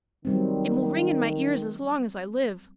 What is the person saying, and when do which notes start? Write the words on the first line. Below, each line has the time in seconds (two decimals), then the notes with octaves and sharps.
It will ring in my ears as long as I live.
0.25 D#3 F#3 G3 C4